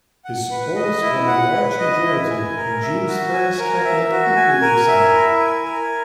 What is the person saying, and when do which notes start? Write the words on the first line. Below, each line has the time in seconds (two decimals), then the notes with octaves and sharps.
His supporters won a large majority, and Jules Ferry's cabinet quickly resigned.
0.25 F#5
0.51 B4
0.76 D#5
1.01 E4
1.27 F#5
1.53 B4
1.79 D#5
2.04 E4
2.31 G#5
2.57 A#4
2.82 E5
3.07 F#4
3.33 G#5
3.59 A#4
3.85 E5
4.11 F#4
4.36 G#5
4.62 A#4
4.88 E5
5.13 E4
5.39 G#5
5.65 A#4